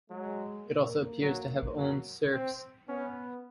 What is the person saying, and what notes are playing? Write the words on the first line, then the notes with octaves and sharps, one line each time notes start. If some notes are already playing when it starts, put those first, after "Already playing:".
It also appears to have owned serfs.
F#3 G#3
A#3
F#3
F#3
C4
B3 C#4